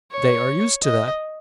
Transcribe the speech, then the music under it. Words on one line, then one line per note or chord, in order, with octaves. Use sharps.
"They are used to that."
C#5
D#5